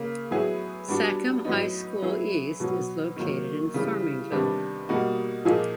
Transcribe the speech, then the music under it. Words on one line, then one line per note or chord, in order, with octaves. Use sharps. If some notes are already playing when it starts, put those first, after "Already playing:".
Sachem High School East is located in Farmingville.
Already playing: C#3 A#3
A2 F#3 B3 E4 G#4
G3 B3 D4 F#4
A2 F#3 B3 D#4
F#3 B3 E4 G#4
B2 F#3 B3
D#3 F#3 A#3
C#3 E3 G3
C3 D#3 G3 B3 D4
B2 G3 A#3 D#4 F#4
A#2 F3 A#3 D#4 G#4